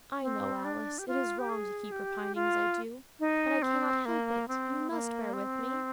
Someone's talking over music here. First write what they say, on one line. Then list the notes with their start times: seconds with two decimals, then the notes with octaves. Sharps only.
'I know, Alice, it is wrong to keep repining as I do, but I cannot help it: you must bear with me.'
0.22 C4
0.65 D4
0.99 G4
1.08 F4
1.39 G4
1.49 G#4
1.92 G4
2.35 F4
3.20 D#4
3.62 C4
4.05 A#3
4.48 C4
4.90 A#3
5.33 C4